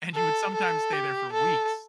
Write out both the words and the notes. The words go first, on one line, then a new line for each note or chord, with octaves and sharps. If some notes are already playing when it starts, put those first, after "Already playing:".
And you would sometimes stay there for weeks,
A4
A4
G4
A4